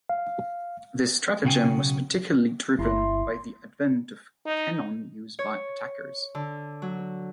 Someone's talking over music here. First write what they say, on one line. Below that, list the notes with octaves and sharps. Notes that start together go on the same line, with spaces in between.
This stratagem was particularly driven by the advent of cannon used by attackers.
F5
B1 C#3 F#4 F5 G5 G#5
G1 E4 D5 A#5 C6
D#4
C#5
D3
F#3